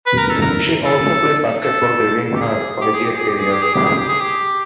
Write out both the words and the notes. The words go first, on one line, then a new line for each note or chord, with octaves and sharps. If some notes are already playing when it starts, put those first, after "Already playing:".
She also played basketball during her collegiate career.
B4
A#4
A4
A#4
A4
A4
G4
G#4
G4
G#4
G4
G#4
G4
G#4
G4
G#4
G4
G#4
G4
G#4
G4